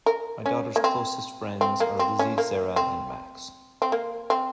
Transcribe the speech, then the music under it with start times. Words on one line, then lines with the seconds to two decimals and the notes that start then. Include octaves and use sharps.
My daughter's closest friends are Lizzie, Sarah and Max.
0.06 A#4
0.46 C#4
0.76 A#3
0.84 C4
1.61 C4
1.80 A#3
1.99 C4
2.19 C#4
2.38 A#3
2.76 C4
3.82 C4
3.92 A#3
4.30 C4